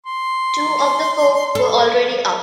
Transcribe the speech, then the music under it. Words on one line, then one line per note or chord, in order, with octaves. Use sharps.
Two of the Folk were already up.
C6
A4